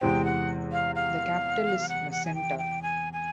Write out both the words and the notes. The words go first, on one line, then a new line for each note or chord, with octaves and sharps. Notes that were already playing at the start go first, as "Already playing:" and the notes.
The capital is Macenta.
E2 C3 E3 G#3 C4 G5
F#5
F5
F5
F#5
F#5
G#5
G5
G5
G#5
G#5